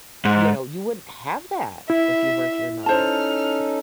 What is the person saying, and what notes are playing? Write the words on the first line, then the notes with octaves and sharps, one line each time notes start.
y you know, you wouldn't have that if you worked remote,
G#2
E4 E5
C#4 D#4 A4 C5 A5 F6